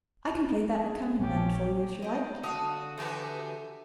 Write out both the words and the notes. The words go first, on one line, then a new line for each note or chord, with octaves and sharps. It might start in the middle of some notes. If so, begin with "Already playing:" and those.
I can play that accompaniment for you if you like.
G#4
A#1 C#4 G4
G4 D#5
D3 F#4 F5 A5 D#6
E3 F#3 A3 F#4 G4 B4